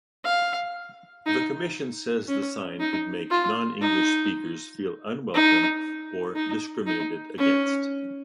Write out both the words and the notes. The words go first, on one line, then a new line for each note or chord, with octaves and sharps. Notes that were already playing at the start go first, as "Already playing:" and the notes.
The commission says the sign could make non-English speakers feel unwelcome or discriminated against.
F5
D#4
C#4
D#4
F4
D#4
D#4
D#4
D#4
C#4